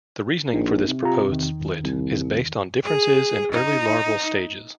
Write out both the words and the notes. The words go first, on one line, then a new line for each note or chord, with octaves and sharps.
The reasoning for this proposed split is based on differences in early larval stages.
A#1 D#4
C3
F4 G4 A#5
E2 D#3
C2
G#4
D#4